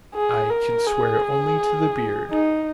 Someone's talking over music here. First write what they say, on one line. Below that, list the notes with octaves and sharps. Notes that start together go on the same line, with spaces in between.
"I could swear only to the beard."
G#4
A#4
G#4
D#4